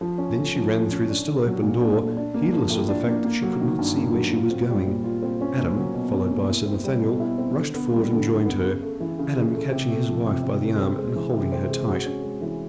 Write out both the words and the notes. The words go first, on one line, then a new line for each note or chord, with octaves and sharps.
Then she ran through the still open door, heedless of the fact that she could not see where she was going. Adam, followed by Sir Nathaniel, rushed forward and joined her--Adam catching his wife by the arm and holding her tight.
F3
C#4
A3
F3
F3
C#4
D4
A3
F#3
A#2
D4
A3
D4
A#3
F3
A2
D4
A#3
A#3
F#3
D#3
G2
A#3
F#3
F4
C4
G3
A#2
F4
C4
C#4
A#3
F#3
B2
C#4
A#3
E4
C4
G3
B2
E4
C4
D3
B3
G3
D3
D3
B3
C#3
A3
E3
C#3
C#3
A3
C3
A3
F3
C3
C3
A3
C4
G#3
E3
C3
C4
G#3
F#4
C#4
G#3
E3